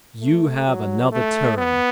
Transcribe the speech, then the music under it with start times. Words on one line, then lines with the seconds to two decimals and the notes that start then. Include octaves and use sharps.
"You have another turn."
0.20 A3
0.66 F#3
1.12 A3
1.58 B3